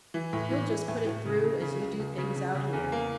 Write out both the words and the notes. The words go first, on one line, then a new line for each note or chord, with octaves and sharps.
You'll just put it through, as you do things out here.
E3
A2
E3
E3
A2
A2
C#3
C#3
C#3
C#2
C#2
C#3
C#3
C#3
E2
A#3